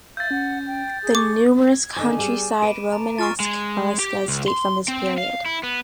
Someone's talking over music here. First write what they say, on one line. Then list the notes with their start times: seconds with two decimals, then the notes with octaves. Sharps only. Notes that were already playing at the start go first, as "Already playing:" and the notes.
The numerous countryside Romanesque basilicas date from this period.
0.17 E5 F5 G6 A6
0.31 C#4 F#5
0.67 G5
1.03 G#4
1.15 C#6 D6
1.72 G#6
1.96 D3 D#3 F3 G#5 D6
2.19 G3 B3 G#4 D6 D#7 E7
2.62 B4 D7 D#7
2.92 A5 A#5
3.18 F4 C#6 F6 A6
3.40 G#3
3.99 G4
4.28 C#2
4.48 C6
4.88 C4
5.18 F5
5.46 E4
5.63 B3